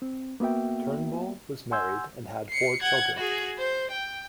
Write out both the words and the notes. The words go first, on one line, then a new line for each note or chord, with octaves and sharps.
Turnbull was married and had four children.
C4
A#3 B3 F#4 E5 G5
F#5 G#5 C6 E6 G6 G#6
C7 C#7
F#5 G#6
F#4 G#4
C5
G5